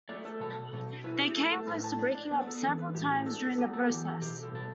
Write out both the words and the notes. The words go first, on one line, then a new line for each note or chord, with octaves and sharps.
They came close to breaking up several times during the process.
A3 D5
A4
B2 A4
B2 A4
E4 B4
G4
A3 A4
A4
A2 B4
A5
D4
D5
B3 B4
A4
E3 A4
B4
A2 G4
G4
D4 A4
A4
B3 G4
A4
E3 G4
A4
B2 G4
A4
B2 A4